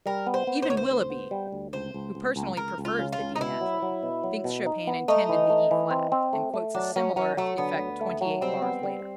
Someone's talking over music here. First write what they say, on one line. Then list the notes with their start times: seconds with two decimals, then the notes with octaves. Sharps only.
Even Willeby, who personally prefers the D natural, thinks Chopin intended the E flat, and quotes a similar effect twenty-eight bars later.
0.06 G3 A#4
0.27 B3
0.34 C5
0.47 B3
0.62 C5
0.69 D2 C#5
0.77 C5
0.90 D2
1.10 B3
1.31 G3
1.52 D2
1.73 C#2 C5
1.94 C#2
2.15 C#2
2.36 C#2
2.57 C#2 A#4
2.78 C#2
2.85 F4
2.99 C#3
3.12 F4
3.19 C#2
3.36 D#4
3.40 B2 E4
3.61 F#3
3.82 F#3
4.03 B2
4.24 F#3
4.44 B2
4.66 D#4
4.87 B3
5.08 A3 D#4
5.29 E3
5.50 A3
5.71 E3
5.91 C4
6.12 C4
6.33 A3
6.54 A3
6.75 F#3 D4
6.96 F#3 C#4
7.16 F#3 C#4
7.37 F#3 A3
7.58 D3 B3
7.79 D2
8.01 A3
8.21 F#3
8.41 G3 C4
8.62 B3
8.83 G3